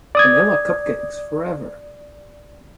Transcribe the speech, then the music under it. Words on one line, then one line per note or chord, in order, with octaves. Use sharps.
Vanilla cupcakes forever.
D5 D#6 G#6